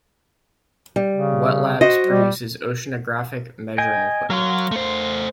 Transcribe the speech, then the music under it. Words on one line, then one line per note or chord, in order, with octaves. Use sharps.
Wet Labs produces oceanographic measuring equipment.
G3
C#3
F#4 C5 D#5
G3
D#5 G5 G#5
F#3 A#4 F5 C6
A3 C5